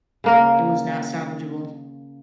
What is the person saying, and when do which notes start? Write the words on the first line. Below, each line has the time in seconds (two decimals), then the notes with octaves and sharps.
it was not salvageable,
0.24 C#3 A#3 A#4